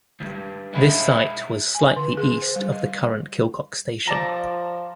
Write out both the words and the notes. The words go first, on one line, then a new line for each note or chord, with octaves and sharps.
This site was slightly east of the current Kilcock station.
D2 G2
G#3 E4
G#5
D3
G#4
C5
G3
D#5
F3 D5 A5 A#5